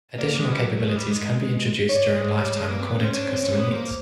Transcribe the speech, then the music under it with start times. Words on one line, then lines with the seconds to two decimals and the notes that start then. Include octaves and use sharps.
Additional capabilities can be introduced during lifetime according to customer needs.
0.18 A#3 D5
0.38 G#3
0.50 G3
0.57 F#3
0.77 A3
0.87 G#3
0.96 G3
1.06 G#3
1.89 C#5
1.96 D5
2.15 G#3
2.35 G3
2.54 G#3
2.69 A#3
2.79 C4
2.84 B3
2.99 C#4
3.04 C5
3.14 D4 C#5
3.28 C4
3.43 C#4
3.51 A#3
3.58 B3
3.72 A#3 C5